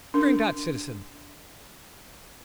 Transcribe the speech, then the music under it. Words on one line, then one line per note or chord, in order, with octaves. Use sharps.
Drink that, citizen.
D4 A#4